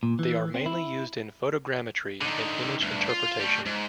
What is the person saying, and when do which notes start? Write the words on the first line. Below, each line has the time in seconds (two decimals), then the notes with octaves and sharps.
They are mainly used in photogrammetry and image interpretation.
0.03 A#2
0.19 E3
0.54 C4
0.66 E4
2.21 D3 D#3
2.81 D2 G2
3.09 F4
3.40 G3 A3
3.66 G#2